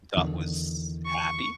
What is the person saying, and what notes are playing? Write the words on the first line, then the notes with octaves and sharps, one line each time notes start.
you thought was happy?
E2 D3 D#3
C#6